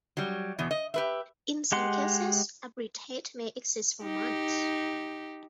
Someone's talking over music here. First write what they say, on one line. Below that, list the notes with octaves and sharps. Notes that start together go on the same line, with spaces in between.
In some cases a bridgehead may exist for months.
F#3 G3
E2 B2
D#5
G4 B4 E5
G#3 G4 F#5 C6
D#4 G4